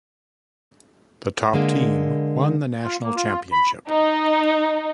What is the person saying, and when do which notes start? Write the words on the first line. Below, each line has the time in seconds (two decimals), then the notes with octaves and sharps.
The top team won the national championship.
1.53 D3 G#3 A#3
2.84 F4
3.03 A#3
3.16 F4
3.52 B5
3.89 D#4